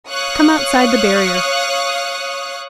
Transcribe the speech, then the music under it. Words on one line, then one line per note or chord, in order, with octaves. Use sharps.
Come outside the barrier.
C#5 F5 C#6 D#6 F#6